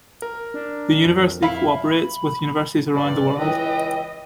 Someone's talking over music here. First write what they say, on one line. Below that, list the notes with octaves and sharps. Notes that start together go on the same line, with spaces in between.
The university cooperates with universities around the world.
A#4
D4
F2
E4 F5 B5
B5
G2 D5
C#2 E3 D#5 G5